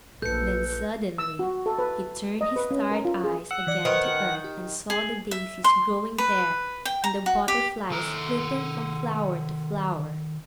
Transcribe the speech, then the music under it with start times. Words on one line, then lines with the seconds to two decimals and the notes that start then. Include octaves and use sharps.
Then suddenly he turned his tired eyes again to earth, and saw the daisies growing there, and the butterflies flitting from flower to flower.
0.22 A#1 A4 B4 G6 C#7
1.18 E6
1.39 F#4
1.66 A4
1.79 B4
2.41 D#5
2.56 B4
2.71 C#4
2.91 A#4
3.05 F4
3.24 G#4
3.51 F#5 E6
3.67 E3 D5
3.85 D#3 B4 C5 D#5
4.44 G4
4.90 G#4
5.31 E5
5.64 C6
6.18 B4
6.85 G5
7.04 A#5
7.26 F#4
7.48 G4
7.91 D#3 A4 A#5